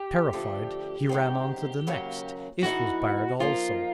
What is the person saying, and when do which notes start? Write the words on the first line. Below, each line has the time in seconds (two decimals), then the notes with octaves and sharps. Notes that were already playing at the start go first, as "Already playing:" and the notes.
Terrified, he ran on to the next; it was barred also.
Already playing: G4
0.33 D3 F3 A3 D4
1.09 F#2 D#3 G#3 C4
1.87 D#2 C#3 F#3 A#3
2.63 E3 G#3 B3 D#4 F#4
3.40 F3 A#3 D#4 F4